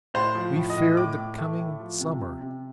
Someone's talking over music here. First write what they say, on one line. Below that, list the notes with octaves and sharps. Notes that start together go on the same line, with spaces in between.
We feared the coming summer.
A2 C5
F3
A2
D#5
A2
A2 D6
A2
A3
A2
F3
C3
C3
C3